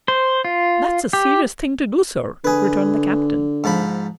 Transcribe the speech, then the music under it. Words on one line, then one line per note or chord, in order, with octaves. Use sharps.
"That's a serious thing to do, sir," returned the captain.
C5
F4
G4
D3 G#4 B4
G#2 F3 B5